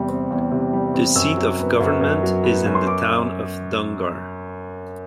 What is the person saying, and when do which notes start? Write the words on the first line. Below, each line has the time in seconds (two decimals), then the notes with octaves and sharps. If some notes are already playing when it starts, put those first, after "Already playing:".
The seat of government is in the town of Donggar.
Already playing: E2 C3 G3
0.08 C4
0.30 E2
0.51 C3
0.73 G3
0.94 C4
1.15 F#2 E6
1.37 F#3
1.59 B3
1.80 F#2
2.01 F#2
2.23 F#3
2.43 B3
2.66 F#2
2.75 C6
2.87 D6